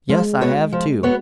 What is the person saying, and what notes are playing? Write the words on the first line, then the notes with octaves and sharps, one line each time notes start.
Yes, I have, too!
F3 G#3
B3 F#4 C#5
F3
B3 F#4 C#5